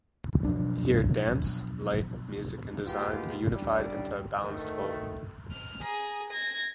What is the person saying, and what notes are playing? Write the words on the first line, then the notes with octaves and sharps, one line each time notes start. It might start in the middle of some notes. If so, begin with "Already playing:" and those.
Here dance, light, music, and design are unified into a balanced whole.
B2 F3 F#3 D4
G#3 A#3 B3 D#4 F4 G4
A1 G3 D4
D2 D#3 A3
F6
G#4 A#5
G#6 A#6